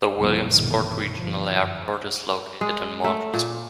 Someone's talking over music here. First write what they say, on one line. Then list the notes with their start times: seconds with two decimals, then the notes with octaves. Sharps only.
The Williamsport Regional Airport is located in Montoursville.
0.18 F1 B1 F3 G3 B3
0.47 A#1 G2 B2 D#3 E3
1.17 G1 F3
1.55 F#2
2.61 G#3
3.04 A3
3.34 A#2